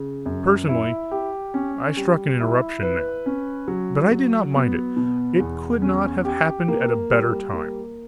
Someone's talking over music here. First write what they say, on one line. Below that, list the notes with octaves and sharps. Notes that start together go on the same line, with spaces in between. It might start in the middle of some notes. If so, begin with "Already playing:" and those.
Personally, I struck an interruption, now, but I did not mind it, it could not have happened at a better time.
Already playing: C#3
F#2
E4
G4
C#4
G3
E4
B4
C#4
F#3
F#3
B3
B2
E2
C#4
G4
A#3
G3
A#3